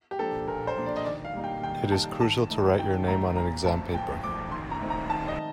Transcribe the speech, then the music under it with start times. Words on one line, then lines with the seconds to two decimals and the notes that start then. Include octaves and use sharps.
It is crucial to write your name on an exam paper!.
0.11 G4
0.18 F3 A#3 D4 A4
0.47 A#2 A#4
0.67 C5
0.77 F3 A#3 D4
0.86 D5
0.97 D#5
1.05 D#3 D5
1.25 F5
1.34 G3 A#3 D#4
1.44 G5
1.63 D#3 G5
1.92 G3 A#3 D#4 A5
2.21 D#3 A5
2.50 A3 D#4
2.79 D#3 G5
3.08 A3 D#4 A#5
3.36 A#2 A#5
3.65 F3 A3 A5
3.94 A#2 G5
4.23 F3 A3 D6
4.52 D#3 C6
4.71 A#5
4.81 A3 C4 D#4
4.90 A#5
5.10 D#3 A5
5.28 D#5